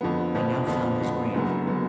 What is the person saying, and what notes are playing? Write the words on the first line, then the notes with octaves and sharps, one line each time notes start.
I now found his grave.
F2 D3 F3 B3
F2 D3 F3 B3
F2 D3 F3 B3
F2 D3 F3 B3
F#1 F#2 D3 F#3 B3
D3 F#3 B3